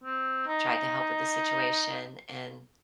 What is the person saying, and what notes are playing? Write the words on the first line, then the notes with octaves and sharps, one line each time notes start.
tried to help with the situation, and
C4
D#4